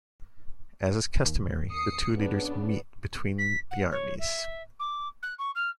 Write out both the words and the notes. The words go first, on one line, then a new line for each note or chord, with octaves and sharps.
As is customary, the two leaders meet between the armies.
D#2
D#6 C7 C#7
C#3 B3 D4
B6
F#5
C#5
E5
D6
F#6
C#6
F6